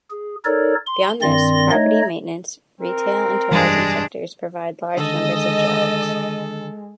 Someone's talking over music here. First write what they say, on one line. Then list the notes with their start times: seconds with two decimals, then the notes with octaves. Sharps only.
Beyond this, property maintenance, retail and tourism sectors provide large numbers of jobs.
0.10 G#4
0.45 D#4 A4 A#4 C#5 D5
0.86 C6
1.22 G2 D#3 C4 D5 C6 A#6
1.72 A3 D#4 C#5 D#5
2.81 C4 A#4
3.50 F1 G2 E3 G3 G#3 D4
4.97 D3 D#3 G#3 A4 D#5